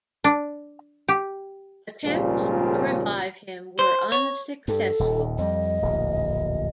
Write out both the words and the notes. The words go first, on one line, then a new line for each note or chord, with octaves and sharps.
Attempts to revive him were unsuccessful.
D4
G4
G#1 C#2 A#2 C#3 F3 G3
C5
C#5
G2 A4
D#1 D#2
F2 G3 D#5
D1 A#1 E2